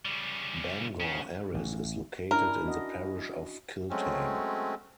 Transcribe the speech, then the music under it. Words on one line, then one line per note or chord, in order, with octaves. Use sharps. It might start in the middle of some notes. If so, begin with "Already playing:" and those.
Bangor Erris is located in the Parish of Kiltane.
C#3 G3
C#3
A1
C#4 D4 E4 A#4
F#4 D#5
F#4
F#3 G#3 A3 C4 C#4